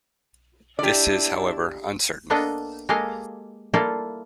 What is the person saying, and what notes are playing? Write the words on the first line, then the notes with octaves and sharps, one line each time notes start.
This is however uncertain.
D4 E4 G4 D5
A#3 B3 D4 A4 D#5 G5
G#3 A#3 G4 A4 D#5 F5
G3 A#3 E4 F4 A4 D5